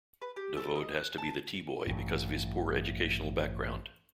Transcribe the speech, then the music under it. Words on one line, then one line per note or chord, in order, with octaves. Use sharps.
Davoud has to be the tea-boy because of his poor educational background.
B4
G4
A4
D#5
F#6
A5
A1 G2